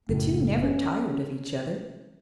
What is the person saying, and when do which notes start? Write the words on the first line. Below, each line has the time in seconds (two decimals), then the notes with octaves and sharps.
The two never tired of each other.
0.09 F#1 A2
0.63 C#4